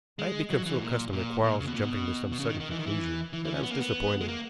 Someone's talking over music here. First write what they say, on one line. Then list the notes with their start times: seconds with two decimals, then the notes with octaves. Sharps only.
I had become so accustomed to Quarles jumping to some sudden conclusion that I was disappointed.
0.19 G#3
0.50 F#3
0.66 E3
0.75 G#2
0.81 A#2
1.13 A#2
1.44 A#2
1.60 C#3
1.67 B2
1.74 A#2
1.82 B2
2.32 B2
2.39 C#3
2.49 D#3
2.60 D#3
2.71 E3
2.79 D#3
2.87 E3
3.33 E3
3.45 E3
3.54 C#4
3.63 B3
3.71 A#3
3.79 B3
4.21 G#3
4.28 A#3